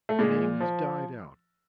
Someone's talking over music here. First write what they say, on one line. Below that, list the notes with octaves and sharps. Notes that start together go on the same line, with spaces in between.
The name has died out.
A3
A#2 G#3
F3